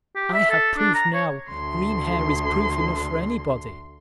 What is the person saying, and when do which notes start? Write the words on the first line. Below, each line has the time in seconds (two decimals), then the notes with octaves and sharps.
I have proof now--green hair is proof enough for anybody.
0.15 G4
0.33 E5
0.50 A4
0.78 D4
0.94 A#5
1.14 C#5
1.48 D2 C6